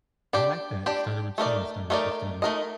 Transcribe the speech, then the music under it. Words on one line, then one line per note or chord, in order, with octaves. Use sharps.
I like that. Start a routine. It started it started
D4 G4 D5
D4 G4 D5
A3 D#4 A#4 D5
A3 D#4 A#4 D5
A3 D#4 A#4 D#5